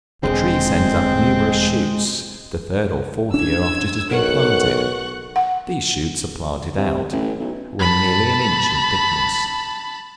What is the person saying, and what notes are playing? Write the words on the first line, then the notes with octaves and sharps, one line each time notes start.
The tree sends up numerous shoots the third or fourth year after it has been planted; these shoots are planted out, when nearly an inch in thickness.
E1 B1 D3 G#3 C4
C#4 D4 E6 G#6
B1 A#4 F#5 C#6 F#6
F#5
C3
A1
B1
A5 B5